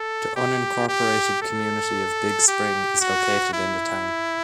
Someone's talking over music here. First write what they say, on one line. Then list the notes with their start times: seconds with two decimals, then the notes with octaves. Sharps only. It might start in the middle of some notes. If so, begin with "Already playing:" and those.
The unincorporated community of Big Spring is located in the town.
Already playing: A4
0.36 G4
0.88 G4
1.42 A4
2.48 G4
3.01 F#4
3.53 E4